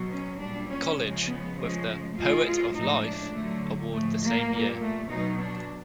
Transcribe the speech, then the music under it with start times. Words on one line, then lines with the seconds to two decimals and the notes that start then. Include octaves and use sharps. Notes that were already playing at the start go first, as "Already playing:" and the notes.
College with the "Poet of Life" award the same year.
Already playing: B2 F#3
0.10 C#4
0.39 A#2 G3 D4
0.69 C#4
0.98 C#3 F3 G#3
1.27 B3
1.56 C#3 F3 G#3
2.15 B2 G#3 F4
2.46 F4
2.74 A2 F3 G#3 D#4
3.04 D4
3.34 D3 F#3 A3
3.92 A2 F3 G#3 A3
4.22 A#3
4.51 A#2 G3
4.80 A3
5.09 B2 F#3 D#4
5.40 D4